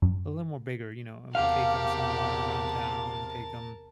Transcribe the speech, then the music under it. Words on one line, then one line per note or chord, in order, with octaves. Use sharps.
a little more bigger. You know, I would take 'em somewhere around town, take 'em
F#2
E2 C3 G4 A#4 F5 F#5 A5